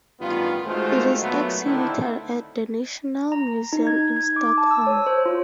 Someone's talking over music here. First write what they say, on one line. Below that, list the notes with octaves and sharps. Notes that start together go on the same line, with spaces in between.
It is exhibited at the Nationalmuseum in Stockholm.
A1 G2 D#3 B3 F4
D#3 G#3 A3 F4 F#4 C5
A#2 F#3 A3 B3
D3 D#3 A3 C4 D4 E4
A#5
D#4
G#6
G#6
D6
A5
E6
C#5
C5
F4